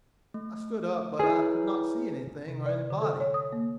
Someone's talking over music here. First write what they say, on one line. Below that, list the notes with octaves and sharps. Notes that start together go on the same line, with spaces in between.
I stood up, but I could not see anything or anybody.
A3
E4 G#4 B4 C#5
C3
D5
D3
A4
C#5
D#6
A#3